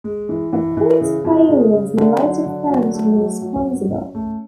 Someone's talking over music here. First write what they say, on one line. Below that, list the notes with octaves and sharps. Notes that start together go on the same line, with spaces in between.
A points failure was later found to be responsible.
G#3
E3
E3
E3
C#3
F2
C#3
C#3
D3
F#3
D3
F#3
A3
F#3
F#3
C#4
C#4
A3